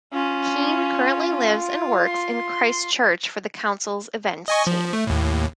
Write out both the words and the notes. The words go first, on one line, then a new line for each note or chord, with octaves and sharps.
Kean currently lives and works in Christchurch for the Council's Events team.
C#4 F4
C6
D#5 G#5 C#6
F3
A3
D#2 A2